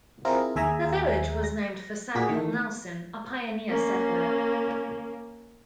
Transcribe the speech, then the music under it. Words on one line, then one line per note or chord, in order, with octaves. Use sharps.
The village was named for Samuel Nelson, a pioneer settler.
C4 E4 F4 G#4 A#4
D#2 G#4 E5 G#5 A#5
A#6
A#2 F#4 G#4 B6
D#3 E3
A#3 C#4